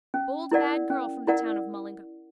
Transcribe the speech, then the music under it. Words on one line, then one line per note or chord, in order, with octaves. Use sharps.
Bold bad girl from the town of Mullingar.
C#4
E4 A#4 D5 F#5
C#4
E4 A#4 D5 F#5